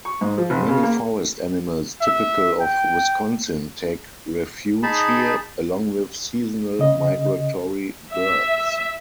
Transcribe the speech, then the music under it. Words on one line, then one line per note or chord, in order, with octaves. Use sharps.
Many forest animals typical of Wisconsin take refuge here, along with seasonal migratory birds.
C#6
G#2
F3
F1
C#3
A#3
E5
G5
D#4 G#4 A5 B5
C#3 D#5
E5